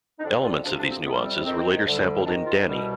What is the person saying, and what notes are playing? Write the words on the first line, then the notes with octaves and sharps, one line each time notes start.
Elements of these nuances were later sampled in Danny!
D#4
F2 D3 G3 D4
F4
D2 C3 F3 D4
D4
C4
F2 C3 G3 B3
C4
F2 D#3 G#3 C4
D2 D3 G3
G#2 D#3 G#3 D4
F4
C2 B2 G3